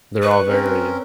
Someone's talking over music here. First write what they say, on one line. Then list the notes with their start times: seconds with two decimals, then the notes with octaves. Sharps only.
They're all very
0.22 B4 C#6 F#6
0.48 C4 C#4 A#4